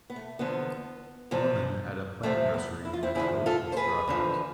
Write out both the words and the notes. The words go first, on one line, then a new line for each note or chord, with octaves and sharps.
Woman at a plant nursery in a coat and straw hat.
B3
A3
E2 D3 F3 B3
E2 C3 F3
E2 C3 F3 A3
B3
E4
F4
C4 E4
E2 D3 F3 E4 G#4
F4 A4
C5
G#4 B4
E2 D3 F3